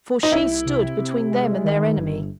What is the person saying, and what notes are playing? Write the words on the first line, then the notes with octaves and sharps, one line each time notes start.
For she stood between them and their enemy.
D#4
C2 E4
C3
C3
G#3
D#3
G1